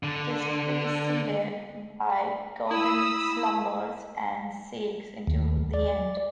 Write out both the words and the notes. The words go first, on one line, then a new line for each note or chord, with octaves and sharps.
It is preceded by "Golden Slumbers", and segues into "The End".
D3
E4 B5 D#6 E6
D#2
D5